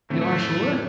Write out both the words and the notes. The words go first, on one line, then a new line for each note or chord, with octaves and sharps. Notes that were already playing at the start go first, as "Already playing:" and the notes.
"You are sure?"
F2 A2 D3 A3 C4